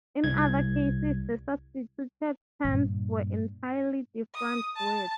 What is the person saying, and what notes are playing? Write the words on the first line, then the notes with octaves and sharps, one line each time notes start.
In other cases the substituted terms were entirely different words.
C2 G#6
G2 A#2
D#6
A5